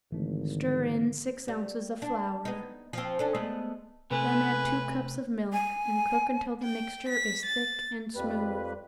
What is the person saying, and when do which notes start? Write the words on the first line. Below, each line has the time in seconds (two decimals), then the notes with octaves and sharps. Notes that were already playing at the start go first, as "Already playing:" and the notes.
Stir in six ounces of flour. Then add two cups of milk and cook until the mixture is thick and smooth.
0.12 G#1 D3 E3 A3
1.48 G3
2.02 D4
2.45 B3 D#4
2.93 F3 C4
3.19 C#4 D4 A4
3.35 G#3 A3 B3
4.11 C3 A3 B4 G#5
5.53 G#5
6.62 G5
7.09 B6
7.45 A6
8.15 F2 G3 B4